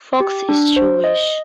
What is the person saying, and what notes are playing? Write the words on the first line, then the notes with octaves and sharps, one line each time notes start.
Fox is Jewish.
G4
D4
C5
D#5